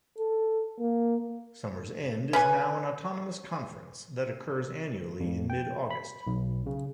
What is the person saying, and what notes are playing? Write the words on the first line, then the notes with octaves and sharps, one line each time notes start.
Summer's End is now an autonomous conference that occurs annually in mid-August.
A4
A#3
C#4 B4 G#5
F2
G5
B5
B1
C#3